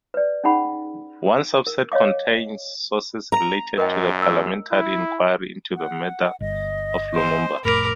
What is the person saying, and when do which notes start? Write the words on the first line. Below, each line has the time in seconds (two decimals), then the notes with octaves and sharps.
One subset contains sources related to the parliamentary inquiry into the murder of Lumumba.
0.14 B4 D5
0.44 C#4 D#4 G#4 F#5 B5
1.67 A#4
1.92 C#5 D#5 F5 D6
3.32 A#5
3.78 F#2 A#4 D#5 G5
4.22 E6
4.72 E4
5.76 F#5
6.40 G1 D#5
7.15 C5
7.65 F1 A2 A#4 B5 D6